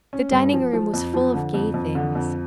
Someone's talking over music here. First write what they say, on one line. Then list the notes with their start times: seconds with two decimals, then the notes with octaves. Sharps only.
The dining-room was full of gay things.
0.13 C#4
0.32 G2
0.53 F3
0.73 F3
0.94 F2
1.14 F3
1.34 D3
1.54 F2
1.74 F2
1.95 D3
2.15 F2